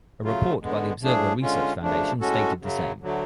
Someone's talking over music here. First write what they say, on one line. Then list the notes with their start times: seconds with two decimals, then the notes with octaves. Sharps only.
A report by the Observer Research Foundation stated the same.
0.22 C#3 F#3 A3 F4
0.62 D3 G#3 B3
1.01 A2 F3 A3 D4 G#4
1.41 D3 G#3 C#4 F4
1.81 F#2 C#3 F3 A3 D4
2.21 A2 G#3 C#4 F#4 A4
2.60 F#2 C#3 F#3
3.00 D2 D3 F#3 A3